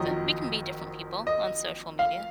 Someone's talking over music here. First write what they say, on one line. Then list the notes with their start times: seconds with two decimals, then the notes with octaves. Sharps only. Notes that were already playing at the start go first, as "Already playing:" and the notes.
So we can be different people on social media,
Already playing: F#1 F2 D#3 F#3 D#5
1.27 D#5
1.99 F5